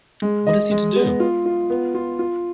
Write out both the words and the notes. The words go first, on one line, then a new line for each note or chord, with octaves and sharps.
What is he to do?
G#3
D#5
G#3
B3
F4
F4
B3
F4
F4